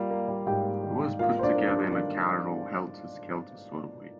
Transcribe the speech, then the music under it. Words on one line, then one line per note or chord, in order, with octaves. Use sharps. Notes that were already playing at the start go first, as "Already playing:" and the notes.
It was put together in a casual, helter-skelter sort of way.
Already playing: G3 A#3 F4 F5
A#3
G3
G#2 G4 G5
A#3
D#3
G#2
A#3 F4 F5
A#3 C5
D4 D5
A#3
D4 D5
G3
D#3 D4 D5